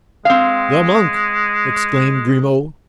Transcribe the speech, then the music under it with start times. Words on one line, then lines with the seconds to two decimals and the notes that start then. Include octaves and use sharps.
"The monk!" exclaimed Grimaud.
0.25 G#3 C4 F5